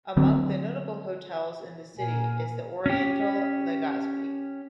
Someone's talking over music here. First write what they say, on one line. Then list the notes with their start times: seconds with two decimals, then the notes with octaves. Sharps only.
Among the notable hotels in the city is The Oriental Legazpi.
0.17 D3 F#3 C4
1.97 A#2 A#4 G#5
2.86 C#4 G4